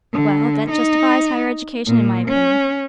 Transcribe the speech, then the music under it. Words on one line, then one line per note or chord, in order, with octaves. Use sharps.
Well, that justifies higher education in my opinion.
D3
D#4
A#2
C#4